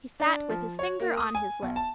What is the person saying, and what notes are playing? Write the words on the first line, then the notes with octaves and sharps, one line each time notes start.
He sat with his finger on his lip.
D4
F3
C#5
A#3
D#6
G#5
B1
A5